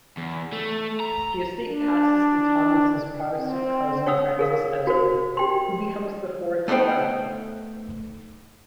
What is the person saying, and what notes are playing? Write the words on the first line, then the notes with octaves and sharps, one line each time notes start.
The estate passes to Thomas's Protestant cousin Francis Esmond, who becomes the fourth viscount.
E2
A3
A#5
D4
C4
C#5 F#5 D#6 E6
G#4 A#4 F5
F#4 A#4 C5
G4 G5 C6
A3 B3 D#4 C5 G5